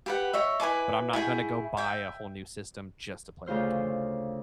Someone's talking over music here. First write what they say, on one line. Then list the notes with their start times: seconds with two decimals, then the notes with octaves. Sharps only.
but I'm not gonna go buy a whole new system just to play that game.
0.06 G4 B4 F#5
0.33 C#5 D#5 E5
0.60 E4 B4 G#5 D6
1.13 E4 F#4 G#4 G5
1.77 E5 G5
3.46 D2 C#3 F4 C5 F6